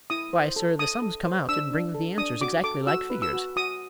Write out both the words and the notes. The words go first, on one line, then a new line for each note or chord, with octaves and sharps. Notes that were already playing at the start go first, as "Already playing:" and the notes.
Why, sir, the sums come out, and bring the answers exactly like figures.
E4 D#6
C5
A4
A4 D#6
A4
C5
D4 E6
D4
A4
D4 D#6
F#4 D6
A4 D6
F#4 E6
B4
E6
F#4
F#4 D#6